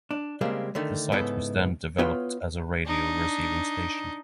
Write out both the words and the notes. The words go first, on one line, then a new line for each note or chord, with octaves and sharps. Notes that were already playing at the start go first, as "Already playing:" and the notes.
The site was then developed as a radio receiving station.
D4
C#3 G3 G#3 A#3 C4
D3 D#3 A3
G#2 C#3 B3 E4 A4
B3 E4 F4 B4 C#5 G5
D4 D#4